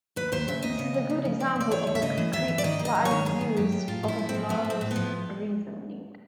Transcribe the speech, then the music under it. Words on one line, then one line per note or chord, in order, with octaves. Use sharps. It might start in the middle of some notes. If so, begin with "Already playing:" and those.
This is a good example of a concrete applied use of Philolaus' reasoning.
D#2 B4
D#2 C5
C#3 E5
D#2 D#5
C#3
F3
C#3
F3
C#3 D5
C#3 D5
E3 C#5
D#2
E5
C#3 D#5
E3
D#2 E5
E3
D5
D#3 D#5
D#3
D#5
F#2
C#5
D#3
F#2 G#4
D#3
F#2 G4
F#2
A2 F4
F3 E4
A2
C4
F3
F3 B3
A2
C4
A2
B3
F3